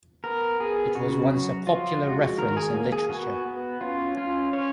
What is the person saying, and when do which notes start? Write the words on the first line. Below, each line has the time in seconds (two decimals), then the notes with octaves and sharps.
It was once a popular reference in literature.
0.24 B3 A#4
0.60 B3 G#4
0.95 C#3 F#4
1.31 F#3
1.67 F3 F4
2.03 G#3 F#4
2.38 D#3 A#4
2.57 G#4
2.74 A#3
2.92 G#4
3.10 B3 F#4
3.46 B3
3.81 C#4 F4
4.17 C#4 F4
4.53 C#4 C#5